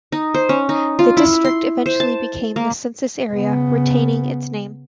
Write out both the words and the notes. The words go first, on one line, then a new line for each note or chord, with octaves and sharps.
The district eventually became the census area, retaining its name.
D#4
C5
C#4
D#4
F4
E4
C6
C5
A5
A#3
C#3 B3